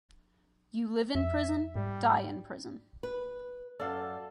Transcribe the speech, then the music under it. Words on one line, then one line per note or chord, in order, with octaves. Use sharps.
You live in prison, die in prison.
F2 E5
G#2 G3
B4
F#2 A4 D5 F5